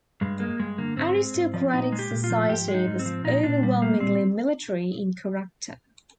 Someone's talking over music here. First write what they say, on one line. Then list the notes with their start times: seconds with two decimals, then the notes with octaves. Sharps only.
Aristocratic society was overwhelmingly military in character.
0.21 G2 G#3
0.40 G#3 A#3
0.59 G2 G#3
0.78 D3 A#3
0.97 G#2 C4
1.16 G#3
1.35 G#2
1.54 F3
1.73 A#2 D#4
1.92 G#3
1.99 G4
2.11 A#2
2.24 F4
2.30 F3
2.49 G#2 G4
2.68 G#3
2.74 D#4
2.87 G#2
2.99 C4
3.06 F3
3.24 A#2 D#4
3.43 A#2 D4
3.63 G3
3.82 G3 A#3
4.00 A#2 C4